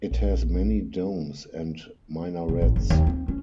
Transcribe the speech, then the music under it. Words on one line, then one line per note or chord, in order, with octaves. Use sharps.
It has many domes and minarets.
A#1
C2
A1
F#1
D#2
C4
C#4